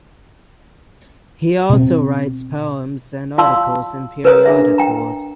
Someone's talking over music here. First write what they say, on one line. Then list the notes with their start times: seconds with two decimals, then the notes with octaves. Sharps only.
He also writes poems and articles in periodicals.
1.70 B2 C4
3.38 F4 D5 F5 A5 C6 E6
4.25 A#4 B4 C#5 D#5 A#5 D#6
4.45 D4 G#4 E5
4.78 G5 A#5